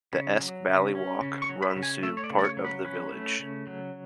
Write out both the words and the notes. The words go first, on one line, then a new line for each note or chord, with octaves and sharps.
The Esk Valley Walk runs through part of the village.
C#3
F#3
C#3
C#4
C#3
C#6
F#3
B5
C#3
G#5
A3 E5
C#5
D5
C#3
D5
C#5
F#3
B4
C#4 B4
A3
C#3
F#3